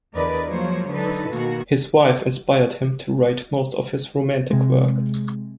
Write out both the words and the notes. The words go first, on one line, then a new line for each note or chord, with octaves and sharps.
His wife inspired him to write most of his romantic work.
E2 D3 A#4 B4 D5 D#5
F3 F#3 G#3 A#3 C5 C#5
D3 F#3 D#4 A4 B4
B2 D#3 A#3 F#4
C3 G#3